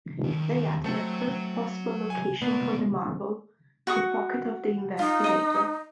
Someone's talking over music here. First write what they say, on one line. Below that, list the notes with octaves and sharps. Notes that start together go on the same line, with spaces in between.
They added a third possible location for the marble: the pocket of the investigator.
D#2
F#3 A3 C4 A4
G#5
A#3 B3 D5
F#4 C#6 D#6
D#4 F4
D#5 A#5